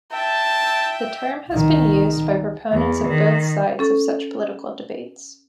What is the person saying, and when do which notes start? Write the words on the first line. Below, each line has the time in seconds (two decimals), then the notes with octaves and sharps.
The term has been used by proponents of both sides of such political debates.
0.13 E5 G5 A5
1.50 C2 D#3
2.71 E2
3.06 D#3
3.79 C#4 A4 C#6